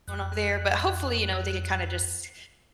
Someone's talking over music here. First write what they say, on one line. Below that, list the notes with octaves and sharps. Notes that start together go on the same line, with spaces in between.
going on there, but hopefully, you know, they can kinda just
F2 F#6